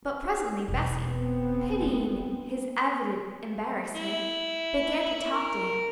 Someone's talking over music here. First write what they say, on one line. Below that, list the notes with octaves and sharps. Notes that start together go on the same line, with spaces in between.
But presently Bessy, pitying his evident embarrassment, began to talk to him.
E1 B2
B3 C4
D3 A3
D4
E4
A#4